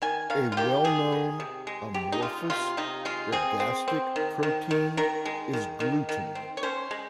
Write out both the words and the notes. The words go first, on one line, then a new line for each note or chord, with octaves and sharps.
A well-known amorphous ergastic protein is gluten.
D#3 G#5
D#3 F5
F4
D#3 G4
D#3 G#4
D#3
C3
G#3
C3 G4
D#4
G#3 F4
C3 F4
C3 D#4
G#3 F4
C4 G#4
C4
C4
D#3
D#3
D#3
D#3 A#4
G#3
D#3
D#3
D#3
C4
C#5
C#4 C5
G#3